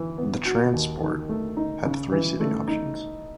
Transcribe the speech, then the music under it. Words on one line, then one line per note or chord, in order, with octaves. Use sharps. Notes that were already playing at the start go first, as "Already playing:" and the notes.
The Trans Sport had three seating options.
Already playing: E3
B3
F#4
D#2
D#3
A3
D#4
C#3
E3
A3
D#4